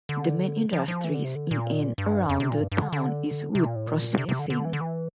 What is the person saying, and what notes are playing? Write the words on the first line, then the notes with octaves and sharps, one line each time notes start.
The main industries in and around the town is wood processing.
D3
F3
F3
E3
D3
C3
D3
A#2
G2
F2
C3
A#2
G2
G2
D3
D3
C3
A#2
A2
A#2
C3
C3
D3
D3
E3
D3
E3